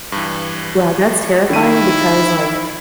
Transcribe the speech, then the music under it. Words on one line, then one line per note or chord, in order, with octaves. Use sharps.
Yeah, that's terrifying because, like,
G2 E3
D#3 E4 D#7